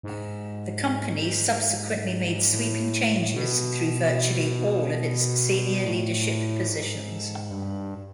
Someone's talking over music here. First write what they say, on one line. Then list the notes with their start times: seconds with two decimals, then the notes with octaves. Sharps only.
The company subsequently made sweeping changes through virtually all of its senior leadership positions.
0.03 G#2
2.52 A2
3.35 B2
5.84 A2
6.67 G#2
7.51 G2